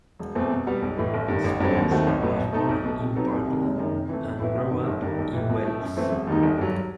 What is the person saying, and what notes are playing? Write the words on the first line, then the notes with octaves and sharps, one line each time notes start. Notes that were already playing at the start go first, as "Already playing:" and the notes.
Spose was born in Portland and grew up in Wells.
E1
E2 B2 A3 C4
B2
G3 B3 F#4
B1
A2 E3
G1
G2 D#3
A1
G2 F#3 C4
D#2
D#3 A3 C4 F#4
A1
A2 F#3 B3
B2
A3 D#4 A4
B1
B2 A3
C3
F#3 B3 D#4 A4
C2
C3 D#3
F#1
F#2 D#3
C3
E3 A3
B1
A2 E3 B3 E4
A1
G2 D#3
G1
G2 D#3
B1
A2 E3
B2
A3 E4
F#2
E3 A3 C4
E1
D#2 D#3 G3 D#4
G1
G2 F#3